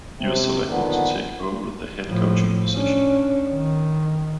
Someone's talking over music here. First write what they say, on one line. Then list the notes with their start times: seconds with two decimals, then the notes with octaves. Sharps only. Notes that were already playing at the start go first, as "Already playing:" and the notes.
He was selected to take over the head coaching position.
0.20 C3
0.67 A#2 D3 D#3 F3 B3
2.09 A2 F3
2.74 C#4 D4
3.49 D#3